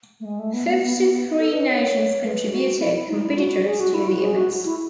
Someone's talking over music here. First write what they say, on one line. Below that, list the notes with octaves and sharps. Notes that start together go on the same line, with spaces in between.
Fifty-three nations contributed competitors to the events.
A3
G#3
A3
B3
B3
B3
B3
B3
A4
B4
C#5
B4
F#4
E4
E4
D#4
E4
F#4
G#4
F#4
E4
F#4
G#4
F#4
E4